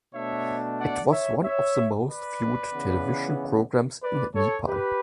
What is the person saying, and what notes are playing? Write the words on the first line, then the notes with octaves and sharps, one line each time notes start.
It was one of the most viewed television programs in Nepal.
B2 A3 D4 C#5 E5
D5 F#5
C#5 E5
C#5 E5
B4 D5
C#3 E3 B3
B4 D5
A4 C#5
G4 B4